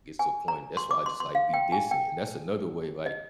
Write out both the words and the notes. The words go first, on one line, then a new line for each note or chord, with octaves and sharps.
gets to a point, that's why I just like be distant, and that's another way, like,
G#5
A#5
C6
D6
C6
C6
F5
G5
G#5
G5
D#5